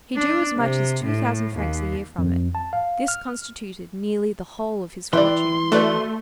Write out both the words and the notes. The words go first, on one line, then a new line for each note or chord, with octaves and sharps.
He drew as much as two thousand francs a year from it; this constituted nearly the whole of his fortune.
D4
C3
A2
D#2
F2
A5
F5
F6
E3 D5 E5 G5 C6
A3 F#4 B4 D5